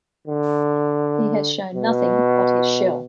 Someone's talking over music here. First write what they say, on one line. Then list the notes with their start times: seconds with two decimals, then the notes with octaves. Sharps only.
He has shown nothing but his shell.
0.27 D3
1.75 B2